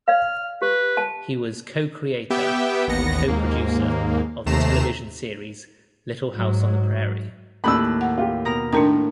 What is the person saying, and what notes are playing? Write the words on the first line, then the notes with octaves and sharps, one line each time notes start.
He was co-creator and co-producer of the television series Little House on the Prairie.
D5 F5 F6
G4 B4
A5
B3 G4 E5 G5
A1 D#2 B3 A#6 C#7
D#2 G#2 A#3
D#2 C3 A3 A#5 C7 E7
G#2 F#3
D#2 A2 B5 E6 F#6
F#5
F4 G4
B2 A#4 A#5
A2 D#3 D4 A#4 A#5